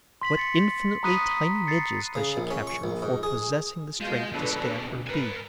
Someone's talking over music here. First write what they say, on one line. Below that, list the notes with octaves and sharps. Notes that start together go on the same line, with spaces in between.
What infinitely tiny Midges does she capture before possessing the strength to stab her Bee?
C6 B6 F#7
A6 C#7
A#5 B5 D#6 F#6 B6 D#7
A6 C7 C#7
C#3
A#1
C#4
C#6
A#1
G#2
G#4
B2 G#3 F4 G6
B2 C#4 D4 A4 B4
D2
A#4 B4 G#5